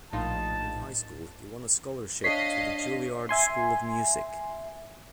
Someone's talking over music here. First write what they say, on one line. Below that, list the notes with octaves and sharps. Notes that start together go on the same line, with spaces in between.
In high school, he won a scholarship to the Juilliard School of Music.
A#1 A2 D#4 F4 A5
D4 C#5 D#5 F5 B6 C7
E5 G#5 C6